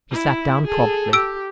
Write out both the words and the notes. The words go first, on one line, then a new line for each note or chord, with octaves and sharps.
She sat down promptly.
E4
G#4 A4
G4 E6 D7